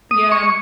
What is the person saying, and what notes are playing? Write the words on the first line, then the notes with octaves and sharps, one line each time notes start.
Yeah, um
D#6
C#6